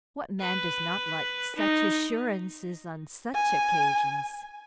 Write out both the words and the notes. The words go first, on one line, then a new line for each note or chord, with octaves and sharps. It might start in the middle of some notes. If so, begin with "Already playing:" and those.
What man does not like such assurances on such occasions?
B4
D#4
G#5